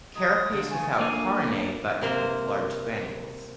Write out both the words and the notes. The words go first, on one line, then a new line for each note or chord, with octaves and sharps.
Carapace without carinae but with large granules.
G#3 A#5 D#6
D3 F3
C#3 A3 G#5
A#3 D4 F4 A4 G#5
C3 A#3 C5